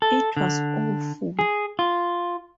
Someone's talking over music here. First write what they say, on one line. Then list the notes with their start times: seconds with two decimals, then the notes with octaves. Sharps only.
It was awful.
0.02 A4
0.37 D3
1.39 G#4
1.79 F4